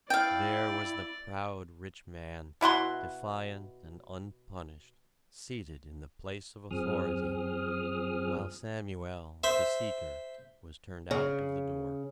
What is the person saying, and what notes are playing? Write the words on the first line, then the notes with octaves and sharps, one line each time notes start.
There was the proud rich man, defiant and unpunished, seated in the place of authority; while Samuel, the Seeker, was turned out of the door!
E4 D5 F5 G5
B2 E4 F#4 C6
F#2 F3 C4 G#4 D#6 F6
C5 E5
C#3